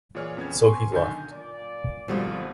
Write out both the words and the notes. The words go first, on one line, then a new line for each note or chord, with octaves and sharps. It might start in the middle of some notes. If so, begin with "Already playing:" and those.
So he left.
A#2 E3 G#4 C#5 D5 F6
F2 B3 C#4 G#6
G#5 C6 C#6
B1 D3 D#3 G#5 G6
A#2 D5
G#1 B2 F3 G3 A3 F4